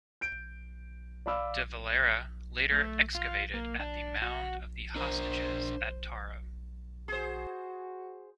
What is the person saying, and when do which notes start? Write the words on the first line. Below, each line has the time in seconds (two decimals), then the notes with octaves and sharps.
De Valera later excavated at the Mound of the Hostages at Tara.
0.21 G6 D7
1.26 D5 F5 B5 D6 E6
2.72 A3
3.15 F4
3.54 A#3
3.79 D4
4.22 F#4
4.96 D4 A#4 C5
7.08 F#4 G#4 C5